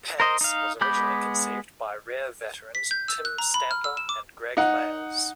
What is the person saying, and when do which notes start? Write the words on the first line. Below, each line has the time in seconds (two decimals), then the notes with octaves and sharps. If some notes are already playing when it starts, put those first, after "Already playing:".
Pants was originally conceived by Rare veterans Tim Stamper and Gregg Mayles.
0.20 A#4 C5 D#5
0.41 D#4 F5
0.81 G#3 B3 B5 D6 G6
2.75 B6
2.91 G6
3.08 E6
3.25 F#6
3.38 A#5
3.54 B5
3.71 F6
3.84 E6
3.97 E7
4.09 D6
4.57 D#4 F#5